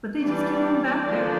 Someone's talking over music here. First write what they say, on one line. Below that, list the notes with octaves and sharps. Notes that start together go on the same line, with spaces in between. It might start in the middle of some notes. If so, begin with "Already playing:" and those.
But they just keep going back there.
E3 G3 D4 D5
D3 F3 A#3 D4